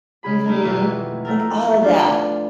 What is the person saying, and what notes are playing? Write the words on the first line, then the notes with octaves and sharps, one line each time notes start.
Mhm. Like, all of that.
C#3 G#4 B5
A3 D#4 A#4
F2 G#2 B2 D#3 E3 E4
A3 A4 A#4
B3 D4 F4 A5